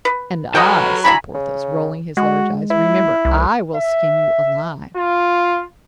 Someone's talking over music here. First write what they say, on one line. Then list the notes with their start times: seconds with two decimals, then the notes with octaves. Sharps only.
"And I," said Porthos, rolling his large eyes, "remember, I will skin you alive."
0.05 B4
0.55 F#3 A4 B4 D#5 F#5 G5
1.05 D4 E4 F#4 G#5 A#5 B5
1.34 C#3
2.17 G#3 F#4
2.71 E4
3.25 C2
3.76 E5
4.96 F4